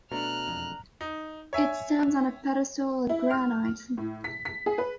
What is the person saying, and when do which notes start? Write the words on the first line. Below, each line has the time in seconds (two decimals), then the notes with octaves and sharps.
It stands on a pedestal of granite.
0.12 B2 A3 D4 A#5 F6 F#6
0.48 E1 F2
1.01 D#4
1.53 C#5 E5 G#5
3.09 E4
3.30 F6
3.97 A2
4.24 B6
4.45 B6
4.66 G#4
4.78 B4